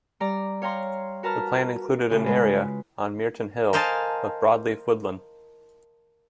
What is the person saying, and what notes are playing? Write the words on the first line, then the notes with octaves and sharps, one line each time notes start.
The plan included an area, on Myreton Hill, of broadleaf woodland.
G3 D5 A#5
C#5 F5 G5 A#5 C6
F#4 A#4 B4 A5 A#5 F6
A2 C#3
G#3 F4 B4
A#4 C5 D#5 F5 G#5 A5